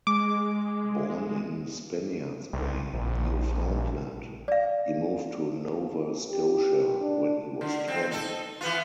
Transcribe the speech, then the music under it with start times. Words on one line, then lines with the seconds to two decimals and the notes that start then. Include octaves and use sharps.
Born in Spaniard's Bay, Newfoundland, he moved to Nova Scotia when he was ten.
0.07 G#3 D6
2.53 C2
2.93 A#1
4.48 D5 F5
6.31 G4
7.01 D4
7.61 D3
7.88 F2 C4
8.11 D#4 A4
8.61 E3 B3 F4